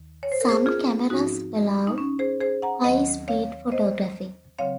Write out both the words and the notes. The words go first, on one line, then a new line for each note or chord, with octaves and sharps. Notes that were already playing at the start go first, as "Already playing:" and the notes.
Some cameras allow high-speed photography.
Already playing: D#2 D#3
C#5
C5
A#4
G#4 C5
F4 G#4
G#2 F3 C4 D#4 F#4
D#4
C#4
G#4 C5
G#4 C5
F#5 A#5
D#2 D#3 F#3 C4 D#5 F#5
C#5 F5
C5 D#5
C#3 F#3 C4 C#5 F5